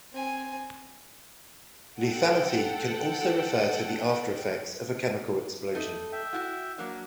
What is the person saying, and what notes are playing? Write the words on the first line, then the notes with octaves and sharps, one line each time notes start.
Lethality can also refer to the after-effects of a chemical explosion.
C4 G#5
A4 F#5 G5
A3 D#4
E5 G5
E4 F#4
F#3 A#3 D4